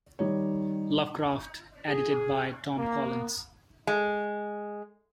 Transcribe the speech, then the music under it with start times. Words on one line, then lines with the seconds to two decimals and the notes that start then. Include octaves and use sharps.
Lovecraft, edited by Tom Collins.
0.19 D#3 G3 D#4 C#5
1.89 G#4
2.78 A#3
3.87 G#3